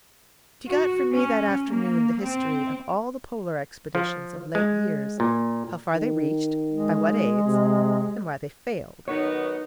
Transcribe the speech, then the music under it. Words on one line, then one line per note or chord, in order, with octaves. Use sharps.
She got from me that afternoon the history of all the Polar expeditions of late years, how far they reached, by what aids, and why they failed.
F#4
C#4
A#3
C4
F3
G#3
A#2
D#3
G#3
C3
D#3 F#3 B3 D#4 C#5